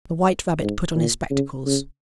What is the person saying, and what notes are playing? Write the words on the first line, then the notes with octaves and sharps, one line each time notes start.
The White Rabbit put on his spectacles.
G#2
A#2
C#3
C#3